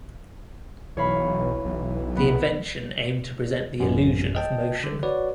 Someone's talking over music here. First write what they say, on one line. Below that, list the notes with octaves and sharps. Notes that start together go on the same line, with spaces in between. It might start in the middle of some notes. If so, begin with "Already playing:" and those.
The invention aimed to present the illusion of motion.
B1 E3 C#5 F5 B5
B1
B3
A1 F#2
D#5 G5 A5
D3
F#4 B4 C#5 D5